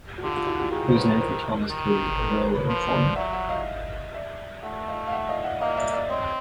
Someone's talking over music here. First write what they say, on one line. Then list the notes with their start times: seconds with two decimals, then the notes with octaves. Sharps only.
It was named for Thomas Cody, a railroad foreman.
0.18 F#4
0.23 D3 F4 G4
0.35 F4 G4
0.47 E4 F#4
0.60 F4 G4
0.71 D#3 F#4 G#4
0.88 C5
0.96 B4 C#5
1.21 A#4 C5
1.70 D#3
2.19 A4 B4
2.30 B4 C#5
2.44 A#4 C5
2.55 B4 C#5
2.67 F3 B4 C#5
2.91 C5 D5
3.16 F#3 E5 F#5
3.33 E5 F#5
3.49 D#5 F5
4.14 D5 E5
4.63 A3 E5 F#5
4.88 D#5 F5
5.07 F5
5.12 E5 F#5
5.29 D#5 F5
5.44 E5 F#5
5.60 A#3 D#5 F5
5.77 D5 E5
5.94 D5 E5
6.10 C4 C#5 D#5